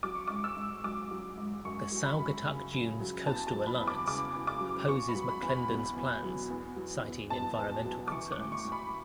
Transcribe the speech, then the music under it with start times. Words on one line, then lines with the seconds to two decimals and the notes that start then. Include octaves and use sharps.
The Saugatuck Dunes Coastal Alliance opposes McClendon's plans, citing environmental concerns.
0.03 F#3 D6
0.15 C#6
0.28 G#2 D6
0.44 E6
0.56 G#2
0.84 F#3 D6
1.11 F#3
1.37 G#2
1.65 F#2 C#6
1.92 F#3
2.05 B5
2.19 F#2
2.46 C#3
2.72 F#2
3.00 F#3
3.26 E2 A5
3.47 A5
3.54 F#3
3.67 B5
3.80 E2
3.87 D6
4.07 C#3 D6
4.35 E2
4.47 D6
4.61 F#3
4.88 E2 C#6
5.09 B5
5.15 F#3
5.29 B5
5.42 E2
5.49 B5
5.69 B2
5.96 E2
6.23 F#3
6.50 E2
6.76 F#3
7.04 E2
7.30 B2 A5
7.58 E2
7.85 F#3
8.08 D6
8.12 E3 C#6
8.32 D6
8.39 A2
8.52 C#6
8.65 A2
8.72 B5